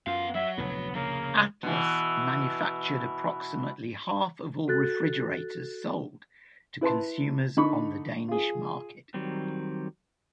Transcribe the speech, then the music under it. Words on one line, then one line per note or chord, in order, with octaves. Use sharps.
Atlas manufactured approximately half of all refrigerators sold to consumers on the Danish market.
F#2 B3 F4 F5
F#3 E5
F1 D2 A2 B3
C#3 A#3
B2 E3
F#4 A4 F#6 A6
E4 B4 A5 C6
D3 D#4 B5 C#6
F4 G#4
D#3 F#3 G3 C4